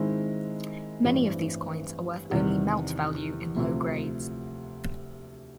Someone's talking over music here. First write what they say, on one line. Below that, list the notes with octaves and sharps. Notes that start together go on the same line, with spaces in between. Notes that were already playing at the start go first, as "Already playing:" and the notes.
Many of these coins are worth only melt value in low grades.
Already playing: G#2 D#3 G#3 C4 E4
A1 G2 E3 G3 C4
E2 C3 D#3 G3
D2 C3 F3